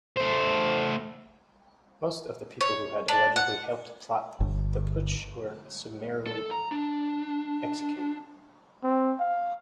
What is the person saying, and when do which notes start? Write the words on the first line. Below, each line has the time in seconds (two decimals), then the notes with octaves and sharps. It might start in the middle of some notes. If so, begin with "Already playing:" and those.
Most of the people who had allegedly helped plot the putsch were summarily executed.
0.17 A3 C5
2.61 C#5
3.08 D4
3.36 F#5
4.40 G1
6.27 A4
6.51 A#5
6.72 D4
8.83 C4
9.19 F5